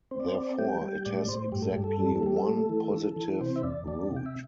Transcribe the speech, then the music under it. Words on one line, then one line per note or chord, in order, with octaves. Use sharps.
Therefore it has exactly one positive root.
C4 C5
D5
C5
C4 D5
G3 G5
G3 G5
A2 D5
D5
A2 C5
G2 G4
A4
G2 G4
A4
G3
A4
G3 G4
A4
A3
E3
E3
E3
C3 C5
E5
E2 D5
E2 D5
C3
G5
E5